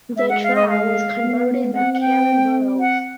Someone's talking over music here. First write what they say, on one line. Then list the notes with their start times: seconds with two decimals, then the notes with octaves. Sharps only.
The try was converted by Karen Burrows.
0.17 G#3 E5
0.29 F#5
0.43 F5
0.56 D#5
0.69 F5
1.22 B3
1.74 C4 F#5
1.94 F#5
2.01 G5
2.80 F#5